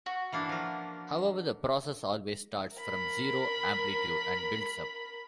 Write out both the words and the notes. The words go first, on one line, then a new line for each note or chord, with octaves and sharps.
However, the process always starts from zero amplitude and builds up.
F#4
E3 A#3 D4
F3 A#4
A#4 B5